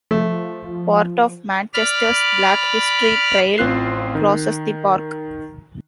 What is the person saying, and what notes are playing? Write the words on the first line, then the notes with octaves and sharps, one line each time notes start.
Part of Manchester's Black History Trail crosses the park.
F3 A3
D5 B5 F6
A1 C4 F4 F#6 C7
D#3